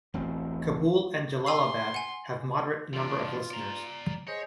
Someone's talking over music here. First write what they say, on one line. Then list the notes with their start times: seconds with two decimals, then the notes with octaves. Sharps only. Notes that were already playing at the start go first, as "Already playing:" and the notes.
Kabul and Jalalabad have moderate number of listeners.
0.14 E1 A1 B2 C4
1.46 G#5 C6 E6 C7
1.94 F#5 G#5
2.93 E3 D4 F4
3.51 D5 A#5
4.28 G#4 C5 C#5 D#5